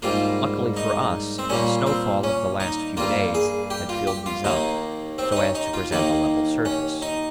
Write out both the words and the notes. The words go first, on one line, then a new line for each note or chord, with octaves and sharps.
Luckily for us, the snowfall of the last few days had filled these up, so as to present a level surface.
G#2 G3 A#3 F4
D#4
C4
A#2 G3 A#3 C#4
C4
C#4
D#4
G2 G3 A#3 F4
G#4
G4
F4
G4
F4
D#2 D#3 A#3 D#4
C4
D#4
C#4
D#4
F4
D#2 D#3 A#3 D#4
C#4
D#4